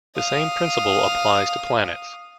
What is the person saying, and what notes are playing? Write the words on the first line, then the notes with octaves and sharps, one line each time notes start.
The same principle applies to planets.
F5 D#6